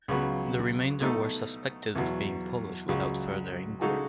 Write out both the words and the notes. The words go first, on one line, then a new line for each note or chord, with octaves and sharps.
The remainder were 'suspected' of being Polish, without further inquiry.
C#2 C#3 F#3 B3
B2 A3 D#4 A4
E2 B2 F#3
C#2 C#3 F#3
C#3 G#3 D#4 F#4 A4